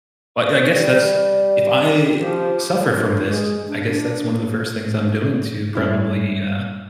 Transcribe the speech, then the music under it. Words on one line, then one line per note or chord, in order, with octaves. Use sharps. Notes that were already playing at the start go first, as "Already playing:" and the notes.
I I guess that's if I suffer from this, I guess that's one of the first things I'm doing to probably, uh,
G3
F3 G4
F4
G#3
D4
D4
G2 C#4 E4